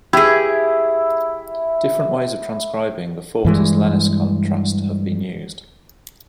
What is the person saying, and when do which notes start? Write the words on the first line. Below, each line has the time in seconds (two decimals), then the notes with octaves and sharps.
Different ways of transcribing the fortis-lenis contrast have been used.
0.13 E4 G4 G#4
3.45 G2 E3 G#3